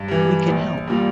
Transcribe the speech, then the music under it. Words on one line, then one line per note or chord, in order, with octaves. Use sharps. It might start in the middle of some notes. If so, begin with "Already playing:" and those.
We can help.
Already playing: G2
E3 G3
A#1
A#2 G3